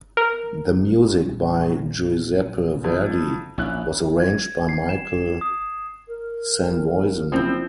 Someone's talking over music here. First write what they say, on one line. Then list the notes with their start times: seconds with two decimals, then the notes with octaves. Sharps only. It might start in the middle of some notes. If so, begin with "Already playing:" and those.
The music, by Giuseppe Verdi, was arranged by Michael Sanvoisin.
0.17 A#4
1.24 A#1 G3 C#4
2.84 F2
3.58 A#1 C#4 E4 F#6
4.20 G#6
4.69 C7
4.89 E7
5.41 D#6
6.08 A#4
7.32 F#1 F3 C4 E4